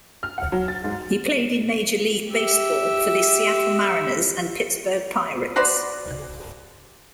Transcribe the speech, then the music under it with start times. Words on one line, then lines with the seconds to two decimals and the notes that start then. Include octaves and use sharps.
He played in Major League Baseball for the Seattle Mariners and Pittsburgh Pirates.
0.23 F6
0.38 F#5
0.52 F#3
0.68 A6
0.84 G#2
2.31 G4 E5
5.56 F#4 B4 C5 D5